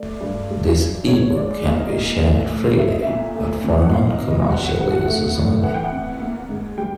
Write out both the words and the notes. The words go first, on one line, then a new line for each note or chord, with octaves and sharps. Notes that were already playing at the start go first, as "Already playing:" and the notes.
This e-book can be shared freely but for non-commercial uses only.
Already playing: A3 D5
G2
G3
F#2
G#3 C#5
G#2 D5
A#3 D#5
D5
D#5
A#2
A3
A2
A3 E5
D#5
A#2 E5
A3
A#2
F#5
A#3 F5
D#5
B2
D#5
G3 F#5
F#5
G2 F#5
F#5
A3
A2
E3 F#5
G5
F#5
F2
A#3
G#2
G3 G5